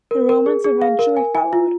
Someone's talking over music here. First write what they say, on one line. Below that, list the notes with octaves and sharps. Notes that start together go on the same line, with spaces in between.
The Romans eventually followed.
A#4
A#4
G#4
G#4
F5
A#4
G#5
G#5
F4